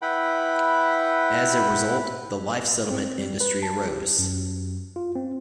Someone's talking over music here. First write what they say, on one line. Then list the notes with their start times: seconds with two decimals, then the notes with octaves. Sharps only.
As a result, the life settlement industry arose.
0.02 E4 B4 F#5 G5 B5
2.91 C4
3.18 G3
3.41 B4
3.63 A5
3.88 G4
4.19 F#2
4.96 F4
5.16 C4